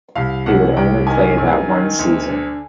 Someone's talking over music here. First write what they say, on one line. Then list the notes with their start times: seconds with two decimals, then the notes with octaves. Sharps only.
He would only play that one season.
0.15 C2 F5
0.46 C2 F#5
0.77 C2 G5
1.07 D#3 G#5
1.38 F#2
1.68 D#3
1.99 D2
2.29 D3